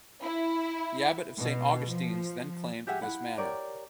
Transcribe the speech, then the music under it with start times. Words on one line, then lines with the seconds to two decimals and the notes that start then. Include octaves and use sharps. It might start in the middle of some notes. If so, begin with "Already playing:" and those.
The abbot of Saint Augustine's then claimed this manor.
0.22 E4
1.40 B2
1.89 F3
2.87 G4 G#4 E5 F#5
3.02 E4 F#5
3.38 G4 A#4 C#5 D5